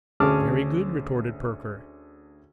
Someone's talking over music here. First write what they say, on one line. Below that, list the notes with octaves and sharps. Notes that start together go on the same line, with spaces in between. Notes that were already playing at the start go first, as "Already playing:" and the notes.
'Very good,' retorted Perker.
D2 C#4 G#4 A5 D6 F6